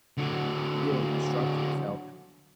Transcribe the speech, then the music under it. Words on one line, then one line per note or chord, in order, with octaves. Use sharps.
real destruction. So
D3 F#3